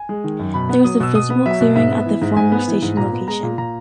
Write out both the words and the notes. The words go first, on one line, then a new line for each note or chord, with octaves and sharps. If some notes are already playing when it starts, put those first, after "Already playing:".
There is a visible clearing at the former station location.
Already playing: G#5
G#3
D#3
F#2
B2 B5
B3
F#3 D#6
B2 E6
B2 D#6
B3
F#3 E5
B2
G#2 E5
B3
E3
G#2
G#2 G#5
B3
E3
G#2
A#2 A#5
B3
G#3 A#5
A#2
A#2 A#5